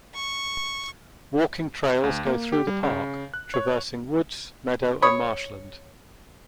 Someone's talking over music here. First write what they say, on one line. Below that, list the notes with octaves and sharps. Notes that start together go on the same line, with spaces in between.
Walking trails go through the park, traversing woods, meadow and marshland.
C#6
D2
A#3
G4
G3
C#3
F#6
C#5
C#5 B5 D#6